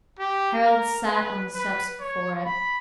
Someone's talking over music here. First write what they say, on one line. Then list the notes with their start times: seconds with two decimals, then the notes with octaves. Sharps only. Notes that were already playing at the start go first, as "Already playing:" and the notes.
Harald sat on the steps before it.
0.19 G4
0.65 A#4
1.10 B4
1.55 B4
2.00 C#5
2.46 B5